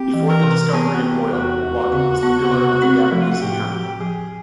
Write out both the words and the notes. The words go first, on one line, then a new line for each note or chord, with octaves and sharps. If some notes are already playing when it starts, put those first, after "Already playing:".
Before the discovery of oil, logging was the pillar of the Gabonese economy.
Already playing: C4 G4
E3
A#4
C3
B3 G#4
F#4
B3 G4
E2 F#4
D#2
C#3
B3
C3
C4
F3 E4
F4
F#4
A2 G4
F3 G4
F3 G#4